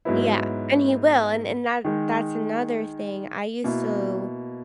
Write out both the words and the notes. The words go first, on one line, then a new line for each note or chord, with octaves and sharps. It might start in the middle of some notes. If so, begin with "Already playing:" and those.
Yeah, and he will, and and that that's another thing. I used to
G#2 F#3 B3 E4
D#3 G#3 D#4
B2 A#3 E4